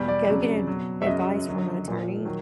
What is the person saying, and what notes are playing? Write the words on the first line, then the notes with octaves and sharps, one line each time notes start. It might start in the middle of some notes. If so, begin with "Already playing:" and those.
go get a advice from an attorney
Already playing: E2 B2 G3
D5
F2 C#3 F#3
F#3
B2
E5
F#2 C#3 F#3 D#5
F#2 D3 F#3
A#2 F3
D#3 F#3